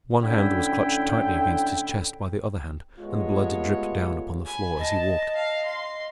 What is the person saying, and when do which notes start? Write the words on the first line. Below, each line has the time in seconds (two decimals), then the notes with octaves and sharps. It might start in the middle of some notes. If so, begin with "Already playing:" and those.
One hand was clutched tightly against his chest by the other hand, and blood dripped down upon the floor as he walked.
0.22 A2 D3 C#4 E4 G5
3.00 G#3 A3 B3 F4 G4 C#5
4.46 G#5 B5
4.78 D#5 A5
5.35 F5
5.66 C6